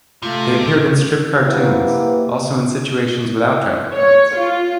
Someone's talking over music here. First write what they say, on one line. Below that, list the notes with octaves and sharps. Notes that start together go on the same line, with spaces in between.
They appeared in strip cartoons, also in situations without traffic lights.
C3 A3 F4
A#3 E4 F#4 G4 B4 C5
C#5
F4